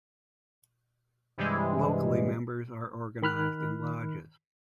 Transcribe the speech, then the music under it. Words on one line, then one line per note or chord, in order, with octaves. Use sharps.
Locally, members are organised in lodges.
G2 C3 E3 G3 G#3
D#3 B5 F6 F#6